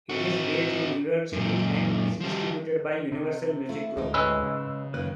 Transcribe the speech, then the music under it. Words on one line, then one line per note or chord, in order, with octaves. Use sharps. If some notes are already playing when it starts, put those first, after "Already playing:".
It is based in New York City and is distributed by Universal Music Group.
C4 F#4
F#2 A#2
F3 G3
C3
A3 E4 F4
D2 G#3 D#4 G4
G#2 G#3 C#4 B4 E6
C#3
F#2 D#3 A#3 B4